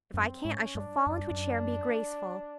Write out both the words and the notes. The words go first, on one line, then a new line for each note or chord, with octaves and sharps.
If I can't, I shall fall into a chair and be graceful.
F#2 C4
G#2 C#4
G2 D4
F#2 D4
G2
F#2